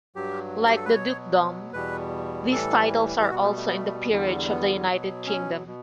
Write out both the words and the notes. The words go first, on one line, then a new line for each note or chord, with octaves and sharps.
Like the dukedom, these titles are also in the Peerage of the United Kingdom.
G2 F#3 G4
G4
A4
B4
B2 F#3 C#5
E2 B2 G3 B4
A2 E3 G3 A4
G4
B2 G3 F#4
A3
A3
B3
A3
E2 D3 G3
B3
B2 F#3
C#4
B2